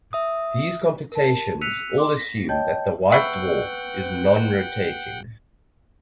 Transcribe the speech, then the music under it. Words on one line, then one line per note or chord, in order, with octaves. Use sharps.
These computations all assume that the white dwarf is non-rotating.
E5 D#6
A#4 A5
E6 F#6 B6 C#7 D#7 F7
C6 D6
A#6 B6
C#5 D#5 G5 A5 G6
B4 E5 F#5 G5 B5 C#6 E6 C7